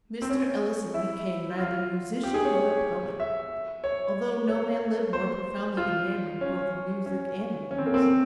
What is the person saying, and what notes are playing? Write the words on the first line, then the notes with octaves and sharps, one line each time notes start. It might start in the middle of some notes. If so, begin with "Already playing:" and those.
Mr. Ellison became neither musician nor poet; although no man lived more profoundly enamored both of Music and the Muse.
C4
C#4
E4
F4
G4
G#4
C#5
C#5
E5
C#5
C#5
C5
F4
C#4
C#4
C#4
C4
A#3
C4